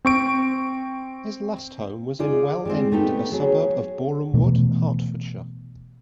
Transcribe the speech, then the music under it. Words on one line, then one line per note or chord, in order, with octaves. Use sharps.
His last home was in Well End, a suburb of Borehamwood, Hertfordshire.
C4 C#6 D7
D#4 F4 G#4 D5
G3 G#3 C4
A3 B3 D#4 G4
F#3 G#4 C#5
B2 E3 A3 B3